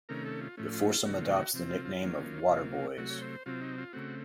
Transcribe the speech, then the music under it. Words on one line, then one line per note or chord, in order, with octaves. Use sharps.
The foursome adopts the nickname of "waterboys".
C3 D#3 A3 C#4 A#4
A4
F4
A2 F3 A3 C#4
F4
F4
C3 D#3 F#3 A3 F#4
F4
F#4
C3 F3 C4
F4
F4
D#3 F#3 A#3 C#4
C3 F#3 A#3
C3 F#3 A3 F#4
C#5
C5
C3 F#3 C4 F4
D#4
F4
C#3 A3 C4 F#4